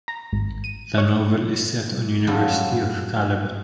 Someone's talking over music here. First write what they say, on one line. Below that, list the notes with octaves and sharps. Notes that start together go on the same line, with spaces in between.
The novel is set on University of Calabar.
A#5
G#1
D#7
C#5
F#2 A2 F#3 G3 F4 A4